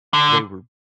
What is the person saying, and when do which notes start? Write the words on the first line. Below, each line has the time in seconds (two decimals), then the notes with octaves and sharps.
They were
0.14 D3